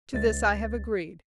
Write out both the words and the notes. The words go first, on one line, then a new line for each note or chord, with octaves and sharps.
To this I have agreed.
C#2 A6